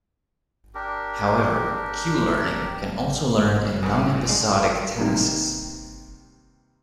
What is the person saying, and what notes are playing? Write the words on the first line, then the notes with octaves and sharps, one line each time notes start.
However, "Q"-learning can also learn in non-episodic tasks.
D4 G4 A#4
C#3
B2 D3 G#4 A#4 B4
A2 G4 F5
G#3 D4
C3 D#3 G3 A#3 B3